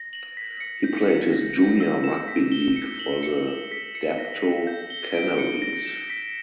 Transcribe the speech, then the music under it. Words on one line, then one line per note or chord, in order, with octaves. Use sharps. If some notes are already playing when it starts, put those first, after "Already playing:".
He played his junior rugby league for the Dapto Canaries.
Already playing: A#6
F#7
B6
C#7
G6
C#7
A#6
G6
E6
E7
B6
G7
C#7
F#7
C#7
E7
B6
C#7
A#6
B6
G6
G7
D7
C#7
A#6
E7
B6